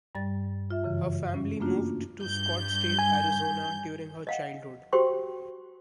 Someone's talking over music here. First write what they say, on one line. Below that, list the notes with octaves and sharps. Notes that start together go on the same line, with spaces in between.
Her family moved to Scottsdale, Arizona, during her childhood.
G2 G3 D5 A6
F4 E5
F#2 C#3 E3
C#4
A3 A#3 D4 F4 F#4
G2 G6
G#5
D#5 F5 F#5
F#4 G4 C5 G5 C6 C#6